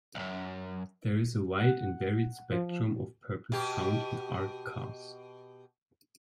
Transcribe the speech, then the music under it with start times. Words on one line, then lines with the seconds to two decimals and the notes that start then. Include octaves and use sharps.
There is a wide and varied spectrum of purpose found in art cars.
0.15 B1 F#2
1.60 F#5
2.52 F3
3.52 B2 G4